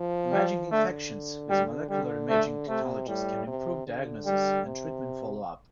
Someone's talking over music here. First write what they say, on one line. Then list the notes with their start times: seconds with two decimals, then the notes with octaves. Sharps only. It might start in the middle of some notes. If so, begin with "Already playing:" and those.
Imaging infections with molecular imaging technologies can improve diagnosis and treatment follow-up.
Already playing: F3
0.32 G3
0.71 D3 A3
1.50 G3
1.89 D3 G3
2.29 A3
2.68 C3 A3
3.07 A2 G3
3.47 C3
3.87 D3
4.26 G3
4.65 C3